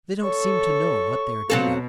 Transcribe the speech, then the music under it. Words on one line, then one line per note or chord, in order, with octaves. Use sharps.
They don't seem to know what they are doing.
A4 C#5 C#6
B2 F#3 C4 A4 F5